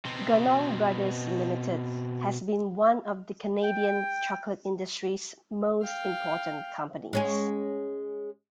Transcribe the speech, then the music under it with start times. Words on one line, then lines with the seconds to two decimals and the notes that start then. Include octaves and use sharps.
Ganong Brothers Limited has been one of the Canadian chocolate industry's most important companies.
0.05 B2 C4
3.64 G5
5.82 F5 G5
7.13 G#3 C#4 G#4